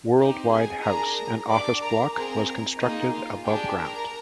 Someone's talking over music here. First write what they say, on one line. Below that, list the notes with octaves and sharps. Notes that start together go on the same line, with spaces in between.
World-Wide House, an office block, was constructed above ground.
C4 D#4 G4
G#4 G#5
D4 G#4 A#4 A#5
D4 G4 D5 D6
A#4 A#5
C4 F4 G#4 A#4 A#5
A#3 D#4 F4 G#4 D#5
F4 F5
D4 G4 G#4 G5
A#4 A#5